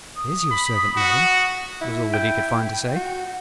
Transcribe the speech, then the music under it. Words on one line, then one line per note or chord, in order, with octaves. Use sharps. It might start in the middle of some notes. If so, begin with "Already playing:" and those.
"It is your servant, madame," was all that he could find to say.
D#6
B5
F#4
E4
G5
F#4